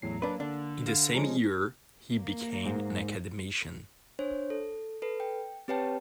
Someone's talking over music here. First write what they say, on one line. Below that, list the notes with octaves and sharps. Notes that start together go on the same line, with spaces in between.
In the same year he became an Academician.
E2 A2 F#3 C7
A#3 D4 B4
D3 D4
F5
F3 G#3 C#4 D#5 A#5
A#3
G#2
D4 C5 C#5
A4
A4 B4
G5
C4 G4 B4 C#5 G5 A5